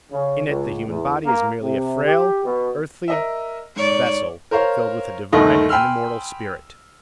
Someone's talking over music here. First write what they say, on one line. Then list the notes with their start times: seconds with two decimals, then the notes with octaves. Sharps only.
In it the human body is merely a frail earthly vessel filled with a divine and immortal spirit.
0.11 C#3
0.47 C#2
0.87 E2
1.24 A#3
1.61 C3
2.03 G4
2.43 B2
3.08 A#4 D#5 E5
3.76 G#2 C#5 D5
4.51 A#4 C5 C#5 F5
5.32 G1 D#2 D#3 A3 D#5 D#6
5.69 G5 G#5 B5 C6 E6 F6